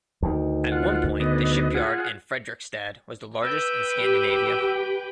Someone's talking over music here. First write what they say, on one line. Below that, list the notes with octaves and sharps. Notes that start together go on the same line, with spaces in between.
At one point the shipyard in Fredrikstad was the largest in Scandinavia.
D2 D#3
F4 F#5
D3 B3 D#5
F4 G#4 F#5
B4 G5 E6
G4